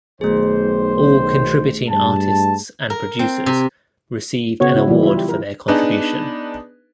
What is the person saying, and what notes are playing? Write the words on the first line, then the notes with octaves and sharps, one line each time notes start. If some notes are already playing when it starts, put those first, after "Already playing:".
All contributing artists and producers received an award for their contribution.
B1 D#3 A3 G#4 C5
G2 A5
A#4
C4
C3
C#3 B3 F#4 C#5
C#3 E4
E3 F#3 G3
E4 F4
G4
A#4
B3 D4 D#4 G#4 B4